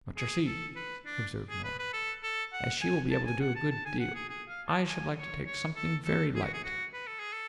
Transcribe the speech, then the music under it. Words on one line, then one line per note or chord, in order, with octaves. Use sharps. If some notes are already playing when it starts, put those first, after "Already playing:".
'But, yer see,' observed Noah, 'as she will be able to do a good deal, I should like to take something very light.'
G#4
A4
B4
D4
G#4
B4
B4
A4
A4
F#5
G#5
A5
G#5
F#5
A5
A5
G#5
F#5
G#4
G#4
F5
A5
G#5
C#5
C#5
A4
A4
G#4
F#4
G#4
F#4
B4
A4
G#4
A4